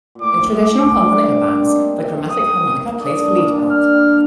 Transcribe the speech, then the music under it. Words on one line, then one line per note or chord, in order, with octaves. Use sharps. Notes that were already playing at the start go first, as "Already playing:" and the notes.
In traditional harmonica bands, the chromatic harmonica plays the lead part.
A#2
A2 D6
A2
D6
A2
D3
G3 A#3
A#3 D4
C4 D#4
D#6
A#3 D4 D#6
G3 A#3
A#3 D4
A#3 D4 F6
G3 A#3